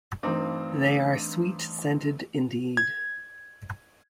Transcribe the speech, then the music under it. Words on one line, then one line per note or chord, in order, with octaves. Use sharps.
They are sweet scented indeed.
G2 E3 A3 C4 D#4 D6
G#6